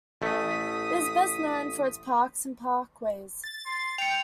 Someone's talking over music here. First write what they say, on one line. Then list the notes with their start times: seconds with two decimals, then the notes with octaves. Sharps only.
It is best known for its parks and parkways.
0.22 A1 A3 D#6 B6
3.44 A6
3.66 C6
3.98 G5 C#7 F7